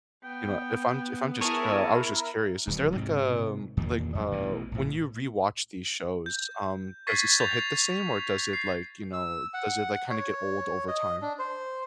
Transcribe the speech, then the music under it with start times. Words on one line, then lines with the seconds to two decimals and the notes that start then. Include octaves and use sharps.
you know, if I'm j if I'm just, uh, I was just curious, is there like, um, like, uh, when you rewatch these shows, um, does it still hit the same or does it like, you know, does it like kinda get old over time?
0.24 B3 G5
1.41 E4 G#4 A#4 C#5 A5
2.67 D1 D2 F#3
2.96 G#2 C3 C4
3.77 E2 G2 A#2 D#3
4.15 E2 G2 F#3
4.31 A1 B2 E3
4.72 A#1 A2
6.26 G6
7.07 C#6 G#6 A6 B6 C7
7.40 G6 A6 F7
8.53 C7
9.13 E6
9.54 F#5
10.10 C#5
10.88 D#5
11.22 D4
11.39 C5